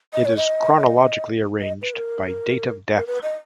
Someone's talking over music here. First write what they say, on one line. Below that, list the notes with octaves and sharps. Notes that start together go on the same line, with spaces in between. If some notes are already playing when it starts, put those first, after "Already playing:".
It is chronologically arranged by date of death.
D#5
C#5
D#5
D#5
B4
A#4
A#4
B4
D#5